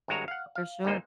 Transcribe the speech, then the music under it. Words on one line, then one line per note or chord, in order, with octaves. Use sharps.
For sure.
G#1 G2 G#3 F#4 C#5 A#5
F5 F#5
F5
D2 G#2 A#3 D#4 C5